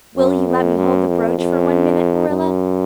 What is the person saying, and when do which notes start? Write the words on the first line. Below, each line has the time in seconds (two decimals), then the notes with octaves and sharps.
Will you let me hold the brooch for one minute, Marilla?
0.16 F#2
0.46 F2
0.77 F#2
1.07 F2
1.38 F2
2.29 F#2